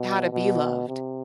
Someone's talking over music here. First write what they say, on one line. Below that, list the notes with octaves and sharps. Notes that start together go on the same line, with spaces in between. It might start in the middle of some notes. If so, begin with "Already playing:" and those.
How to be loved.
Already playing: B2
B2
C3